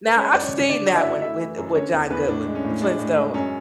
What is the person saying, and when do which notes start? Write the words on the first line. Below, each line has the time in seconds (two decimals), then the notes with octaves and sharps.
Now, I've seen that one with with John Goodwin, the Flintstones.
0.08 B4
0.16 G#3 C#4 C#5
0.34 F#2 D5
0.42 C#4 C#5
0.52 C#3
0.69 D3 D4 D5
0.86 F#3 F#5
0.95 E4 E5
1.05 F#2
1.22 A3 E4 E5
1.40 E3
1.58 F#2
1.75 D3 C#4 C#5
1.93 E2
2.10 E2 B3 B4
2.28 A2 D4
2.46 G#3
2.55 C#4
2.64 A2
2.81 G#3 D4
2.99 A2
3.16 G#3
3.34 F#2 C#4